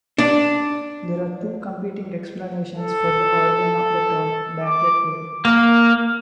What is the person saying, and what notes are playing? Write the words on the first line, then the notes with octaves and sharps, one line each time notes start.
There are two competing explanations for the origin of the term "badger game".
D4
A4
D6
A#3